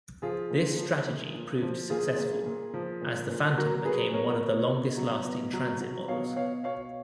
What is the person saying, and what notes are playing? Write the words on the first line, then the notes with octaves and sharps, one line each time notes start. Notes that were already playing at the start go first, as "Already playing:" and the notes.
This strategy proved successful, as the Phantom became one of the longest-lasting transit models.
F3 F4 G#4
A#2
F3
A#2
A#2
F3
A#2 F4 G#4
A#2
A#2
F3
A#2
A#2
F#3 F#4 A#4
A#4
F#3 G#4 B4
B2 A#4 C#5
B2
B2
F#3
B2
F#3
F#3
B2 C#5 F5
B2 C#5 F5
B2 C#5 F5